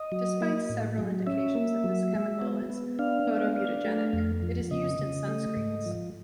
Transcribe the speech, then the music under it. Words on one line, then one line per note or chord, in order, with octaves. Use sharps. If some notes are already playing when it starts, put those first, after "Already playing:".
Despite several indications that this chemical is photomutagenic, it is used in sunscreens.
Already playing: D#5
F#3
A#3
A2
F#3
C#4 E5
A#3
F#3
G#3
B3
B3
D4 F5
B3
D4
A3
F2
F3
C#3 D#5
C#3
A3
G#2
F3